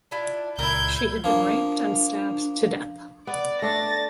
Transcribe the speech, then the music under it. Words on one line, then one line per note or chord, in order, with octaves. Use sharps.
She had been raped and stabbed to death.
D4 E4 F4
C#2 A#2 E4 A#4 G6 G#6
F3 A#3 D4
B3 D5
A3 D4 A6 A#6